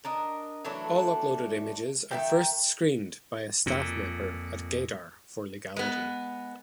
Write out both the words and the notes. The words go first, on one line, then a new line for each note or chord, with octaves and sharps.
All uploaded images are first screened by a staff member at gaydar for legality.
D4 A#4 D#5
E3 F#3 A3 D4
D#3 E5 G5
F2 A#2
G#3 B3